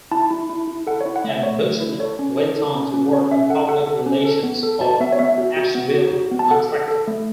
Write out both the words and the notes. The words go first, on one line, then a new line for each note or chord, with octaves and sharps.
And Buchanan went on to work in public relations for Asheville Contracting.
E4 A5
E4
E4
E4
A4 F#5
C#5
E4
F#5
A3 E5
A3 C#5
A3
E4
A4 C#5
C#4
A4
A4
C#4
C#4
C#4 C#5
C#4 E5
A4 F#5
A4 F#5
A4
C#4
A4
B3
A4
F#4 A5
B3 E5
C#5
B3 E5
F#4
F#4
B3
F#4
F#4
B3
A5
A4 F#5
A4
A4
A3